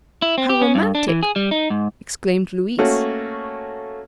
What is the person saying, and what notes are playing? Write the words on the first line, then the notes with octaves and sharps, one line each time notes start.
"How romantic!" exclaimed Louise.
E4
C4
G4
C#4
G2
D4
E3
G#4
G3
D#4
G#2
A3 A#3 C#4 F#4